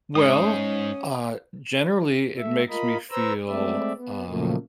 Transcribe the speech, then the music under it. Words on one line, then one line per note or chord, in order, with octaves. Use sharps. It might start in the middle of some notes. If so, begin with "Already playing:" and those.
Well, uh, generally, it makes me feel, uh,
G#2 C#4 D#6
A3 E5
F4 A#4 D#5 B5
B4 C5 A#5 E6
G#3 A3 C4 D5 E5
B3
A#2 C#3 F3 F#3 A3 A#3